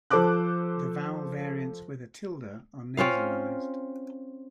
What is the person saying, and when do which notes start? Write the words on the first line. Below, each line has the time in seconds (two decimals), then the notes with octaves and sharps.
The vowel variants with a tilde are nasalized.
0.10 F3 A4 C5 A5 D6 F#6
2.97 C4 C#4 F4 F5